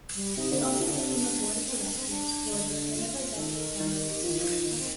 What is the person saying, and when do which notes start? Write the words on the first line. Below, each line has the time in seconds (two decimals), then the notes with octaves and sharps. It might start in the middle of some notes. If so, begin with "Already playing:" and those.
She also sits on the Board of Directors for the Canada West Foundation.
0.15 G3
0.37 C3 D#4
0.51 D3
0.58 A#3
0.66 C3
0.79 C3 D4
0.90 D3
1.00 C3
1.65 C4
1.79 D4
1.94 C4
2.09 D4
2.52 D3
2.94 F4
3.36 D#3 A4
3.58 A#4
3.80 D#3 A#4
3.94 G4
4.09 G4
4.23 F3
4.31 D#3
4.37 F3 F4
4.51 D#4
4.65 D#3 A#3
4.79 C4